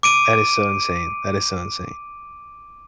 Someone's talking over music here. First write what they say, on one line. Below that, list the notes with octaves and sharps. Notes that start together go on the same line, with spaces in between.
That is so insane. That is so insane.
D6 D7 D#7